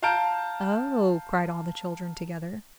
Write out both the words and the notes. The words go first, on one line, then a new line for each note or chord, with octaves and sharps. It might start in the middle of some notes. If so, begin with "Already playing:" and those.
"Oh!" cried all the children together.
F5 A5 A#5 F6 G6 D7